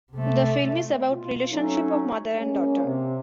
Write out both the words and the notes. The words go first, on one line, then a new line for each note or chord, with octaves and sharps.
The film is about relationship of mother and daughter.
C3 A3
B2 F4
F#3 A3 C4 C#4 D#4
G#3 A#3 C#4
C3